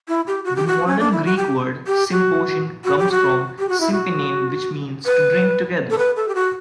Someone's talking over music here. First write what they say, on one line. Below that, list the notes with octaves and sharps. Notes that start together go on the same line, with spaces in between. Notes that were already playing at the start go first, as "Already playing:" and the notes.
The modern Greek word "symposion" comes from "sympinein", which means "to drink together".
E4
G4
F#4
G4
F#4
C#4
D4
E4
F#4
G4
G4
F#4
F#4
G4
F#4
G4
F#4
E4
F#4
B4
A4
B4
A4
G4
F#4